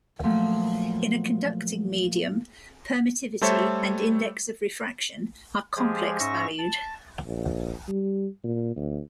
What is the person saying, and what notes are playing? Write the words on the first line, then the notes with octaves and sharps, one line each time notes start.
In a conducting medium, permittivity and index of refraction are complex-valued.
A#2 F3 F#3 A3
G3 A3 A4 C5 C#5 E5
F3 G#3 G4 G#4
G#2 C#4 E5 C#6 A#6
A5
A#1
G3
A#2
D2